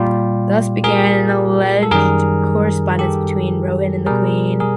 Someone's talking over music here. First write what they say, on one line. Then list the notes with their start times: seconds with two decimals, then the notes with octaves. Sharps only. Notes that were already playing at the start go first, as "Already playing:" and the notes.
Thus began an alleged correspondence between Rohan and the Queen.
Already playing: A#2 G3 F4 G4
0.84 G#4 A#4
1.83 A4
1.91 F#2 D#3 G3 G#4 A#4
2.99 G4 A4
4.06 B2 G3 G#4 A#4
4.60 G#4 A#4